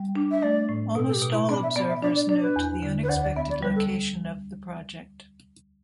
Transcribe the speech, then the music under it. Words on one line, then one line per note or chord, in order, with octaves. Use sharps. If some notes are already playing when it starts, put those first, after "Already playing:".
Almost all observers note the unexpected location of the project.
Already playing: G3
D4
E5
A3 D5
A2
B2 A4
A4
G4
B2
E4
B3 D4
E5
B3 D5
E5
D4 D5
D5
D4 D5
B4
E2
D3
B4
D2 D5
D5
B3 E5
D5
G3 B4
A4